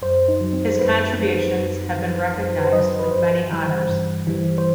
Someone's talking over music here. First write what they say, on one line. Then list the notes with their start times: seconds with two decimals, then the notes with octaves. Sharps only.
His contributions have been recognized with many honors.
0.02 F#2 C5
0.28 D#4
0.41 F#3
0.53 C4
0.79 F#2 B4
1.18 F#3
1.57 F#2
1.96 F#3
2.34 F#2 C5
2.58 B4
2.65 C5
2.73 F#3 D#5
2.99 B4
3.11 G2 C5
3.51 E3 G3
3.88 G2
4.27 E3 G3
4.58 C5